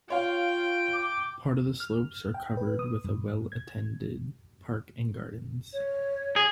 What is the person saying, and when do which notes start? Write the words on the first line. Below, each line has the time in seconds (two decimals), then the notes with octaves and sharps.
Part of the slopes are covered with a well attended park and gardens.
0.10 F4 C#5 F5 G5
0.93 D6
1.80 F6
2.34 G5
2.57 B4
2.79 D#6
3.04 G2
3.52 G#6
5.73 C#5
6.36 G#4